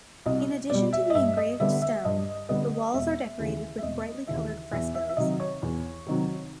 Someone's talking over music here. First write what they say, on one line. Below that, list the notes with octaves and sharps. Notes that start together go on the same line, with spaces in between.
In addition to the engraved stone, the walls are decorated with brightly colored frescoes.
C2 D#5
B2 G3 D5
E5
D#5
G2 E5
D#5
D3 G3 B3 E5
E5
G2 D#5
D3 G3 B3 D#5
E1 E5
D#2 C#3 E3
E5
E1 D#5
D#2 C#3 E3 E5
E2 E5
E5
E5
C3 D#3 F#3 D#5
C#5
E2
C3 D#3 F#3